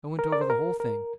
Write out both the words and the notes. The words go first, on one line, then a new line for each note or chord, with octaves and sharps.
I went over the whole thing.
A#4
D5
C5
A#4
A#4